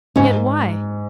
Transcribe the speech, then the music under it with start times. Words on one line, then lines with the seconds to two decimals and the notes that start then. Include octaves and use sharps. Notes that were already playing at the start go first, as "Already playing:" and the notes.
Yet why?
0.16 G#2 C#3 C#4